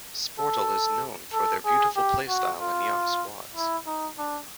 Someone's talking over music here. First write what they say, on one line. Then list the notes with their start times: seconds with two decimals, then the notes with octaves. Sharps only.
Sportul is known for their beautiful play-style and young squads.
0.39 A4
1.33 A4
1.66 G#4
1.96 G4
2.29 F#4
2.59 F4
3.55 E4
3.86 D#4
4.19 D4